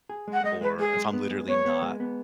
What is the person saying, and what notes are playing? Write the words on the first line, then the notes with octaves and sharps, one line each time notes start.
or if I'm literally not
G#4
G#3
F#5
G#3 D#5
G#3 B4
G#3 G#4
G#3
B3
G#3
B3 C#5
B3
G#3
B3